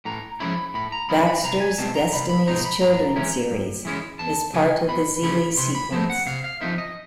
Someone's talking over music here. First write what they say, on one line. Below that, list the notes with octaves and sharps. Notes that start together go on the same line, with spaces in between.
Baxter's "Destiny's Children" series is part of the Xeelee Sequence.
A2 A#5
F3 G#3 C#4 E4 B5
A2 B5
A#5
F3 G#3 C#4 E4 B5
B5
C2 A#5
G#5
B2 G#3 C4 A5
A#5
C2 B5
B5
B2 G#3 C4 D#4 A#5
B5
G2 A#5
E3 G#3 C#4 E4
G2
E3 G#3 C#4 E4
E2 A5
C#3 F3 A3 C#4 G#5
E2 B5
C#3 F3 A3 C#4 B5
C3 C6
B5
F3 G#3 C4 D#4 A5
F#5
C3 F5
F5
F3 G#3 C4 D#4 E5
D#5